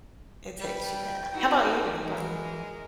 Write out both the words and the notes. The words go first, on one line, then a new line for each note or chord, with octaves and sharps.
It takes you back. How about you? How about you?
G3 B4 G5
D#4 E4 F#4 B4
E3 G#3 A#4